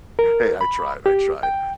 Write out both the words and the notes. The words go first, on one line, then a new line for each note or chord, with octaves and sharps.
Hey, I tried, I tried.
A#4
B5
G4
G5